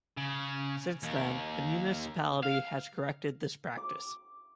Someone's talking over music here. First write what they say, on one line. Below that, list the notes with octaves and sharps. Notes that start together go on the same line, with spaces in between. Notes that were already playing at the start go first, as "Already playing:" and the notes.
Since then, the municipality has corrected this practice.
C#3
D#2
F5
D6